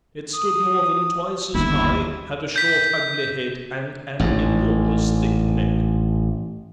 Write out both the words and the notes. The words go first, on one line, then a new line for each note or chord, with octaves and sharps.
It stood more than twice as high, had a short, ugly head, and an enormous thick neck.
D#6
G1 D#2 E4
G6 B6
A1 G#2